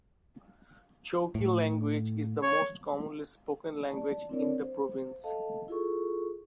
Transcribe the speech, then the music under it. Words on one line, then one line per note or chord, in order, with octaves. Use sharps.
Chokwe language is the most commonly spoken language in the province.
A2
C#5
D5 A5
C4 D4 E4 A#4 C#5 D5
C5
A4 D#5 F5 A5
E4 F4 G#4 A4 C#6